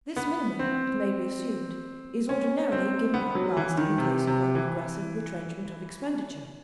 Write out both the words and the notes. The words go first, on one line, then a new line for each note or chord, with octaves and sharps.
This minimum, it may be assumed, is ordinarily given up last in case of a progressive retrenchment of expenditure.
B3
C4
C#4
C4
B3
F#3
E3
D#3
C3
C3
E3